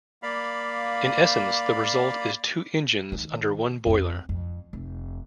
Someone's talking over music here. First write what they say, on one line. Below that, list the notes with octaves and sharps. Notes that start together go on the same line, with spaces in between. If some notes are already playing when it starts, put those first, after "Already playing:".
In essence, the result is two engines under one boiler.
A#3 D5 F5 B5
D#3
F2 C#4
F2
F1